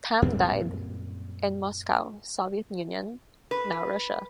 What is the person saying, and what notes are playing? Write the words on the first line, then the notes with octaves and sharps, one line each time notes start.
Tamm died in Moscow, Soviet Union, now Russia.
F#2 A#2 G3 C4
B4